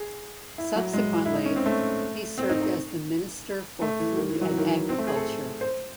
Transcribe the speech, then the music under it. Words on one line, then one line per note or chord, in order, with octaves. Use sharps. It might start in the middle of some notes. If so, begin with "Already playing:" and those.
Subsequently, he served as the Minister for Food and Agriculture.
Already playing: G#4
E4
F#3
G#3
E4
D#4
C#4
C4
A3
C4
D#4
D#4
A3
E3
D#3
E3
F#3
E3
D#3
E3
C4
A3
G#4
A4
C5